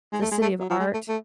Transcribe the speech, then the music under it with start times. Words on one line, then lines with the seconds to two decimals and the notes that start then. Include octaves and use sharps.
the city of art.
0.12 G#3
0.21 A3
0.31 G#3
0.41 A3
0.60 F#3
0.70 F3
0.79 G#3
0.94 A3
1.08 A3